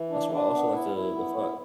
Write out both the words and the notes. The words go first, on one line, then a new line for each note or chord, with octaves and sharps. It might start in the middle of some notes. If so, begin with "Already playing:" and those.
That's why I also like to to fi
Already playing: E3
D4
D4
B3
E4
E4
B3
E4